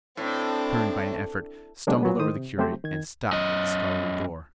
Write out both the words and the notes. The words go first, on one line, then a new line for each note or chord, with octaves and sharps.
I turned by an effort, stumbled over the curate, and stopped at the scullery door.
A2 C4 D4
C#3 F#3 G#3 A#3 C4 D4
A#2 F#3 B3
A2 D#3 C5 D#6
C3
C#3 F#3 A3 C4 G4 C5
D#3 G#6
F#2 D#5